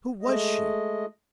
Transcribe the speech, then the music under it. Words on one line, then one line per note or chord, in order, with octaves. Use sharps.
Who was she?
G#3 A3 D#5